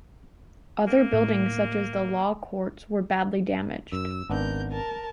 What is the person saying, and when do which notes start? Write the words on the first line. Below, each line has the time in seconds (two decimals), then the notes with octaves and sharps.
Other buildings, such as the Law Courts, were badly damaged.
0.88 A#3
1.13 A2
3.92 F#2 E6
4.30 G#1 B3 D4 A#4 G6
4.70 A#4 A5